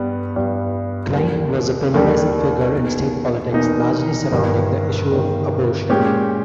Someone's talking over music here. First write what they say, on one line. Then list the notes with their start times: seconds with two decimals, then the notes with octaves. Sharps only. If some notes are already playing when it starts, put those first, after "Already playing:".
Kline was a polarizing figure in state politics, largely surrounding the issue of abortion.
Already playing: G2 G3 B3
0.36 G2 G3 B3
1.14 D#2 D#3 G3
1.94 D#2 D#3 G3
2.73 E2 B2 A#3 D#4
3.51 E2 B2 A#3 D#4
4.32 G1 G2 D#3
5.10 G1 G2 D#3
5.89 A#2 G#3 C#4 G4